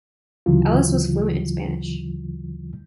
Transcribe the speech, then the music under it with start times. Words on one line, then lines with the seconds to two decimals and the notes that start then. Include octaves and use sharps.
Ellis was fluent in Spanish.
0.46 D2 C#3 E3 F#3 F4